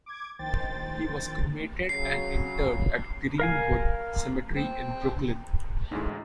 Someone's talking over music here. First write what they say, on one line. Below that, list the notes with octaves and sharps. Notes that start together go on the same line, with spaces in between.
He was cremated and interred at Green-Wood Cemetery in Brooklyn.
D6 G#6
A#1 D#3 C5 G5 A6
C#3 F#3 C7
A#4 F5 G#5
C4
A1 D2 G#3 D#4 E4